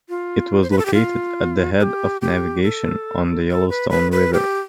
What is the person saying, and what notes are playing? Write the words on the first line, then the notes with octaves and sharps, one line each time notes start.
It was located at the head of navigation on the Yellowstone River.
F4
C5
B4
A4
G4
F4
A4
G4
G4
A4
A4
B4
B4
B4
G4